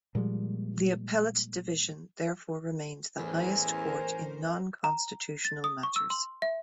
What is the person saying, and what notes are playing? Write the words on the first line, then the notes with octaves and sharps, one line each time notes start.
The Appellate Division therefore remained the highest court in non-constitutional matters.
A#2 F3 G3 G#3
A1 E2 C#4 A#4 C5 G#5
A#5
A6
D#6
C#6
E6
C6
E5